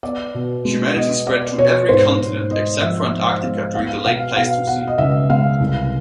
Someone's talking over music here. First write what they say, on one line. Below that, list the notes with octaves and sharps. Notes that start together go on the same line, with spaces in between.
Humanity spread to every continent except for Antarctica during the Late Pleistocene.
B3 D5
B2
G#3
B3 D#5
B3 D5
B2 C#5
G#2 C5
G#2
G#2 D#5
F3 E5
G#3
F5
G#3
B3 F5
B2 F5
B2 F5
B3 F#5
D#5
C#2 E5
G#3 F5
C2